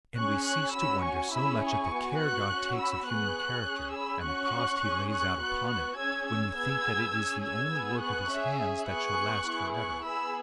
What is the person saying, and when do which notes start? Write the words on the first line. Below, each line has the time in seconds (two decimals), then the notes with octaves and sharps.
And we cease to wonder so much at the care God takes of human character, and the cost He lays out upon it, when we think that it is the only work of His hands that shall last for ever.
0.17 C#4 G#4 C#6 F#6
0.45 C#6 F#6
0.74 C#4 F#4 B5 E6
1.04 G#5 C#6
1.33 C#4 E4 G#4 B5 E6
1.62 G#5 C#6
1.91 B3 F#4
2.20 C#6 F#6
2.49 C#4
2.54 F#4
2.78 B5 E6
3.07 B3 G#4 C#6 F#6
3.65 C#4 G#4
3.95 B5 E6
4.23 C#4 F#4 C#6 F#6
4.81 C#4 G#4
5.11 C#6 F#6
5.40 B3 F#4 C#6 F#6
5.68 C#6 F#6
5.97 C#4 G#4 E6 G#6
6.26 E6 G#6
6.55 B3 G#4 E6 G#6
7.14 C#4 G#4
7.43 E6 G#6
7.72 B3 G#4
8.01 C#6 F#6
8.30 C#4 G#4 E5
8.88 B3 G#4 C#6 F#6
9.46 B3 E4 G#4
9.75 C#6 F#6
10.04 B3 G#4 B5 E6